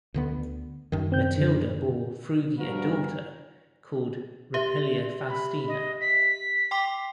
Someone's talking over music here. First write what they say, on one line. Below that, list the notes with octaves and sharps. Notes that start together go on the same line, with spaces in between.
Matidia bore Frugi a daughter called Rupilia Faustina.
D2 D3 B3
F#2 D#3
C4 G6
D3
G2 F3 B3 F#4 A#4
G4 E5
B5
D#5
B6
G5 C6 D6